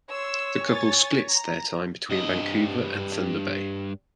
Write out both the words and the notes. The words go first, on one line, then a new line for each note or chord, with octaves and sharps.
The couple splits their time between Vancouver and Thunder Bay.
C#5 C6 E6
G#5 A6
A#5
G2 D#5